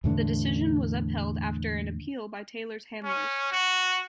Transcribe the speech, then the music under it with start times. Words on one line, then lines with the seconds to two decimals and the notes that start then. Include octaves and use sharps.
The decision was upheld after an appeal by Taylor's handlers.
0.04 E2 A2 D3
3.04 C#4
3.52 F#4